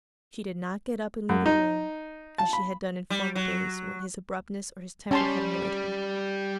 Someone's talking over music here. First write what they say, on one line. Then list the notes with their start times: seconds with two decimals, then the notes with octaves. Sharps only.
She did not get up and leave the room, as she had done in former days, when his abruptness or his temper had annoyed her.
1.29 F#2
1.46 D#4
2.38 A5
2.53 B5
3.10 G3
3.35 F#3
5.11 G3 C#4 A5 C6